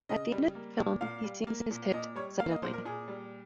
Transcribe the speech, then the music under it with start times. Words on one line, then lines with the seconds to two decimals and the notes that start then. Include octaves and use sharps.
At the end of the film, he sings his hit Suddenly.
0.09 C#3 D#5
0.32 G3
0.55 A#3
0.78 A#2
1.01 A#2 F5
1.24 G3
1.47 A#3
1.71 A#2
1.93 A#2 D#5
2.16 G3 C#5
2.39 A#3 F5
2.51 D#5
2.63 A#2 C5
2.73 A#4
2.85 A#2 G#4
3.08 G3